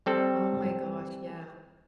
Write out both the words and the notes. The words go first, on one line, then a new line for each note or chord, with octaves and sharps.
Oh my gosh, yeah.
G3 C4 A4